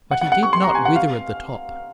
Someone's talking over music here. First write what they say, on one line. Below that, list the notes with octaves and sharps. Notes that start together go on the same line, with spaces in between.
But he did not wither at the top.
F#5
F#5
F#5
C#6
C6
A#5
G#5
F#5
F5